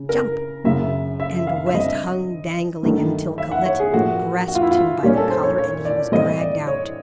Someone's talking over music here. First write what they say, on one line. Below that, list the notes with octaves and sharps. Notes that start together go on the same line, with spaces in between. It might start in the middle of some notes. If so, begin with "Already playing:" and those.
"Jump!" and West hung dangling until Colette grasped him by the collar, and he was dragged out.
Already playing: C#3
A#4
F#2 C#3 F#3 E5
E5
F5
E5
D3 G3 C4 D#5
G2 D#3 F#3 A3
E5
F#5
C#5
G#4
A2 F3 A#3 F#4
F#4
F4
E4
F4
A#2 G3 A#3 C#4 G4
A4
C5
C#5
C#5
D5
A2 E3 G3 C4 D#5
D5
C#5